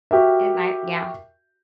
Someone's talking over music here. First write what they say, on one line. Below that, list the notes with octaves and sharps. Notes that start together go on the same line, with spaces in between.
It might Yeah.
F#4 G4 A#4 E5